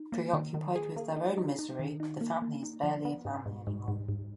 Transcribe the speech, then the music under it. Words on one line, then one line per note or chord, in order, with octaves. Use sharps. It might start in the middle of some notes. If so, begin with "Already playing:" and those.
Preoccupied with their own misery, the family is barely a family anymore.
Already playing: D#4
A#3
D#3
D#3
G#4
A#3
D#4
D#4
D#4
D#3
D#4
A#3
A#3
D#4
F3
B3
G#2
G#2
G#2
G#2
G#2